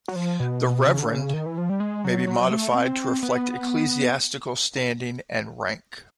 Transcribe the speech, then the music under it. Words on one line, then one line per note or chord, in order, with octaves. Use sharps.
"The Reverend" may be modified to reflect ecclesiastical standing and rank.
F#3
F3
B2
C#3
D3
C#3
D#3
E3
F3
G3
G#3
F#3
F#3
A3
C4
B3